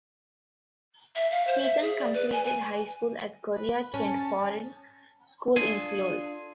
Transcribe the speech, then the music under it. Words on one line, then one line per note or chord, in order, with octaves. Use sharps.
He then completed high school at Korea Kent Foreign School in Seoul.
E5
F5
C5
E5
G#4
D5
B4
G#5
G#5
B4
C#4 A5
D4 F4 G#4 A4 G#5